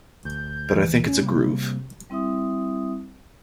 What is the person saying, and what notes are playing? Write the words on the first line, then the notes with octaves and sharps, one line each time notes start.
But I think it's a groove.
D2 G6
E3
C#4
C3 G3 A#3
G3 C4 E4 E5 D#6